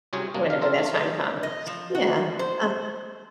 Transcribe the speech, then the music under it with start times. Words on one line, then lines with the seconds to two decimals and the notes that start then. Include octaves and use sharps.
whenever that time comes. Yeah, uh
0.13 C2 C3 F#3 C#4 G#4 C5
0.34 C3 A#3 D4
0.50 D#4 F5
0.62 C4 F4 A4 A#4
0.78 A3
0.93 D3 G#3 D#4
1.43 D#5
1.67 F3
1.95 F#4
2.39 C5